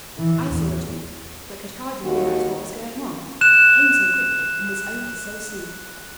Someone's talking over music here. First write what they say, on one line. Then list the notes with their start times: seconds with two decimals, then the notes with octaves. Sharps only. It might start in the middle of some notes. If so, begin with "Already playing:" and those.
I saw it all, but could hardly realize what was going on, it came so quickly and was over so soon.
0.18 E3
0.49 E2
2.04 D#2 F#4
3.41 F#6 E7